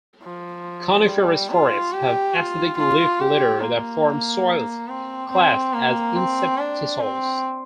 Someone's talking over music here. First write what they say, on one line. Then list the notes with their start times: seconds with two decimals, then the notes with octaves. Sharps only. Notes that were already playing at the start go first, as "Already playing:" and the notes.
Coniferous forests have acidic leaf litter that form soils classed as inceptisols.
0.23 F3
1.07 G3
1.51 F4
1.93 G4
2.35 F4
2.77 F4
3.20 G4
3.61 A#3
4.88 C4
5.31 C4
5.73 A#3
6.16 C4
6.58 D4
7.00 C4